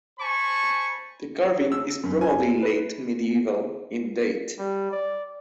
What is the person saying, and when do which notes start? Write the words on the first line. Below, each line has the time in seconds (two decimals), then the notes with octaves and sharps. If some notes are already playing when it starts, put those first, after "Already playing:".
The carving is probably late medieval in date.
0.19 C5 G#5 A5 B5 C#6
1.72 E6
2.04 F#2
2.21 G#5
2.63 B4
4.59 G3
4.91 D5